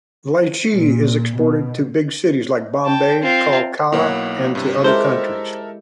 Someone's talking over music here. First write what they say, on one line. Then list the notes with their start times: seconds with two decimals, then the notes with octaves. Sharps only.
Lychee is exported to big cities like Bombay, Kolkata and to other countries.
0.72 A#2
1.37 B2
2.85 G5 A5
3.22 C4 F4
3.92 B1 A#3 E4 B4 C#5 F#5
4.55 G2 C3
4.84 G#3 E4 G4 A4 A#4 C5 E5